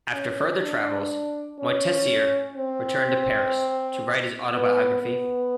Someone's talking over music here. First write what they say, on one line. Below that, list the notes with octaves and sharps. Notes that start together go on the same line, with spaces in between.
After further travels, Moitessier returned to Paris to write his autobiography.
C#4
D4
C#4
C4
B3
B3